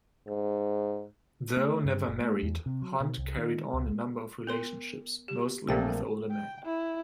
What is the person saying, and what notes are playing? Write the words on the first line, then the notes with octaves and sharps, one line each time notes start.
Though never married, Hunt carried on a number of relationships, mostly with older men.
G#2
A3
G2
F#1
A3
E2
C3
F#3
B2
C2
D#3
C#2
B3 A#4 C6
G4
A#1 F#3 A3 A#3 C4 G5
G5
E4